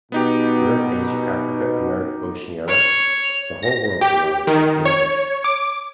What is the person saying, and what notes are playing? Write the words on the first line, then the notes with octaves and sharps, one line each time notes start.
Europe, Asia, Africa, America, Oceanica, the whole world belongs to the English.
B2 B3 D#4 G4
C#5
A#6
G4
D#3
C#5
D6